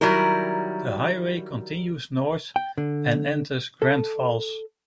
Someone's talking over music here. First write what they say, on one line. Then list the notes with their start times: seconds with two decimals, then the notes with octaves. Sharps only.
The highway continues north and enters Grandfalls.
0.01 D#3 F#3 G3 E4 A#4
2.56 G5
2.78 D3
3.82 A4